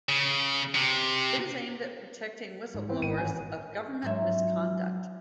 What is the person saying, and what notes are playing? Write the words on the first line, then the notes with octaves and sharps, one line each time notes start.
It is aimed at protecting whistleblowers of government misconduct.
C#3
C3
G#2
E3 B3 C4
G#1 B4 D#7
A1 G#5 G6
G#2 F#3 E5